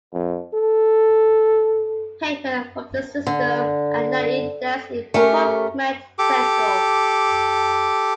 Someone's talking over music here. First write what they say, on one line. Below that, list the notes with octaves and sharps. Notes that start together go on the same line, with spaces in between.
Paper from the system are now indexed in PubMed Central.
F2
A4
D3
A3 C#4 G4 A#4
G4 A4 D6